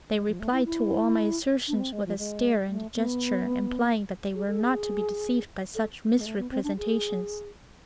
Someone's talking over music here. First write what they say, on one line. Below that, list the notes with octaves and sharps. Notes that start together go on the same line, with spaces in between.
They replied to all my assertions with a stare and a gesture implying that they were not to be deceived by such misrepresentations.
G#3
F3
A3
E4
E4
D4
B3
C4
G#3
F3
G#3
A3
B3
G#4
A4
G#4
A4
B3
G#3
A3
B3
C4
D4
G#4